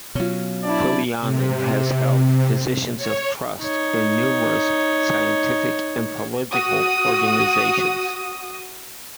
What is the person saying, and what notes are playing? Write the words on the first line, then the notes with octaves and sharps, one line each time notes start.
Pulliainen has held positions of trust in numerous scientific and political organisations.
B2 F#3 C#4 F4
D4 E4 D5
C3
C#5
D#4 C#5
F#4 D#6